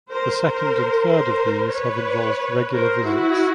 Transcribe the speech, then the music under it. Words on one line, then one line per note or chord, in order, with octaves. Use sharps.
The second and third of these have involved regular visits.
A#4 C5
A#4 C5
A#4 C5
B4 C#5
A#4 C5
E4 F#4